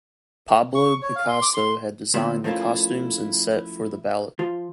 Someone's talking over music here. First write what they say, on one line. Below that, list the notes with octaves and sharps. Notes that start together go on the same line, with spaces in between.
Pablo Picasso had designed the costumes and set for the ballet.
C#6
C#5
F5
C6
D6
C6
D2 A#2 F3 B3 C4
F3 A3 A#3 C#4 E4 F4
F3 F4